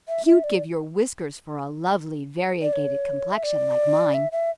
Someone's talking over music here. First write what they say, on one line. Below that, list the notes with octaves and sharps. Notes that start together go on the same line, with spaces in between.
"You'd give your whiskers for a lovely variegated complexion like mine."
E5
E5
D5
D5
C#5
E5
D5
E5
E5